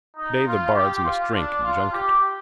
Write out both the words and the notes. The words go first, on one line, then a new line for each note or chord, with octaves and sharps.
Today the bards must drink and junket.
D#4
F4
G4
F4
D4
F4
G4